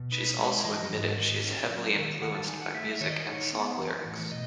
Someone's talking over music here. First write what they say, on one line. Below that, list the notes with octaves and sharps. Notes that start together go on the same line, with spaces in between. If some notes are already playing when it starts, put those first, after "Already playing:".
She's also admitted she is heavily influenced by music and song lyrics.
Already playing: B2
D#4 B4
G#3 C#5
E3 D#5
G#2
D#3
C#4
F#3
D#3
D#3 F#5
A5
D#4 G#5
F#5
A3 E5
E5
D#3 C#5
D#5
D#4 C#5
B3
E3
A2
B2 D#5